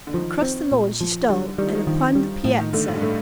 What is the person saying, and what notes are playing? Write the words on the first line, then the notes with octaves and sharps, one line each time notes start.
Across the lawn she stole, and upon the piazza.
D3
D#3 F3
C4
A#2
F3
D3 G3
D#3 G3
F3
D#3
D#3 F3
G3
A2 F3
D#3
D3 A3
A2
G2
A2 A3